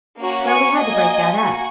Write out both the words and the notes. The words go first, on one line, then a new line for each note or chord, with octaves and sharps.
Well, we had to break that up.
A#3 C#4 F#4
G#5 C#6
A#3 F#4 D#5 G#5
A#3 F#4 G#5 C#6